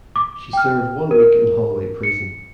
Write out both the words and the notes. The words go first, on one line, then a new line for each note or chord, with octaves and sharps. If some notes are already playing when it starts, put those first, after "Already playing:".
She served one week in Holloway Prison.
D6
G5 F6
A#4
C#7